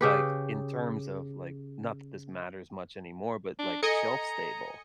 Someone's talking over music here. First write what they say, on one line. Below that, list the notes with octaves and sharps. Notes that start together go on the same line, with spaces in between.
like, in terms of, like not that this matters much anymore but, like, shelf stable,
C#3 G4 B4
D4
A4 D#5 G#5 A#5 C#7